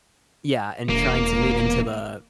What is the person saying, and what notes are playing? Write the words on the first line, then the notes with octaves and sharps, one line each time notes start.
Yeah, and trying to lean into the
E1 A#3